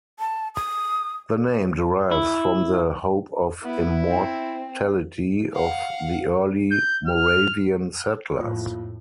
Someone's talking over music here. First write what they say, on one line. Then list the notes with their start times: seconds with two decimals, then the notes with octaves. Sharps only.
The name derives from the "hope of immortality" of the early Moravian settlers.
0.19 A5
0.55 D#6
2.11 E4
3.62 B3 E4
4.08 C4
5.52 F5 F#5
6.71 G6
7.08 F6
8.38 F2 A2 A#3 F4